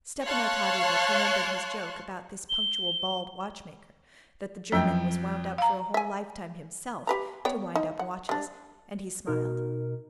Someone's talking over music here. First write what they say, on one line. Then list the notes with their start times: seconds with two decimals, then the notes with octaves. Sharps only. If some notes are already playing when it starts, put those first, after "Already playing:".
Stepan Arkadyevitch remembered his joke about this punctual, bald watchmaker, "that the German was wound up for a whole lifetime himself, to wind up watches," and he smiled.
0.25 C#5 F5 A5 C6 C#6 F#6
2.50 G7
4.72 F2 F#3 C#4 G5
5.58 F5 A#5
5.94 E5 G#5
7.07 G4 B4 A#5
7.45 B3 C#5 G5
7.75 D#4
7.99 F#5
8.29 G3 D4
9.27 B2 D#4 A#4